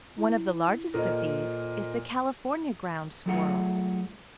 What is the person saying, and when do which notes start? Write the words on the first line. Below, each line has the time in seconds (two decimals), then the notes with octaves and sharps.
One of the largest of these is the California Ground Squirrel.
0.18 E4
0.94 A#2 A4 A#4 C5 D#5
3.26 F#3 G3 A3 F4 G#4 F#5